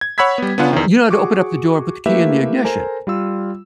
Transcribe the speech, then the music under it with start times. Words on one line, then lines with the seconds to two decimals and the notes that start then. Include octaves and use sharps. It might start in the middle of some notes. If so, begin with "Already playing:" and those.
uh, you know how to open up the door and put the key in the ignition,
0.01 G#6
0.18 C#5 F#5 B5 E6 G#6 B6
0.38 G3 B3
0.58 B3 D4 F4 F#5
0.73 E2 D#3
1.10 F#4 G#4 C#6 D6
2.06 A3 A#3 E4 G4 B4 E5
2.64 A4 A#4 C5 G#5 A#5
3.07 G3 F4 E6